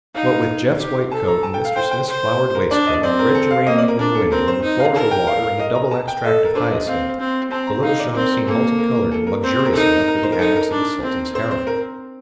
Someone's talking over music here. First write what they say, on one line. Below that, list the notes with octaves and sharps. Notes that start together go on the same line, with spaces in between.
What with Jeff's white coat and Mr. Smith's flowered waistcoat and the red geranium in the window and the Florida water and the double extract of hyacinth, the little shop seemed multi-coloured and luxurious enough for the annex of a Sultan's harem.
D#4 F5
G4
A4 A5
A#5
A5
G5
F5
C5 G5
G5
C5
A#4
D4 D5
D#5
C4 D5
A#4
A4
F5
A#3 D#5
D5
A#4
D4 A#4
A4
C4 A#4
C5
D#4
F5
A#4 A5
G5
F5
F5
D#5
A#5
A5
G5
A4 D#5
A#4
D4 C5
D#5
C4 F5
C4
C4 A5
A#5
D#4 F5
D5
C4 A#4
A#4
A#3 A4
A4
A#4
A#4
A4
A#4
C4 C5
C5
A#4
D#4 A4
A#4
A#4
C5
A#4
D#4 A4
A#4
D4
C4
C4 C5
C5
A#4